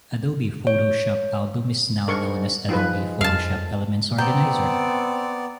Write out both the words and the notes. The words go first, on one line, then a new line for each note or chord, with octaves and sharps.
Adobe Photoshop Album is now known as Adobe Photoshop Elements Organizer.
C#5
G#2 D4 A#4 C#6
F3 G#3 D#4 F4 B4
F2 F5 A5
B3 C4 D5 G5 A#5